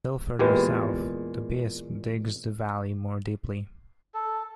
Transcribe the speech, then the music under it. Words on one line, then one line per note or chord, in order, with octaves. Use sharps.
Still further south, the Biesme digs the valley more deeply.
E2 A#2 G#3 G4 B4
A4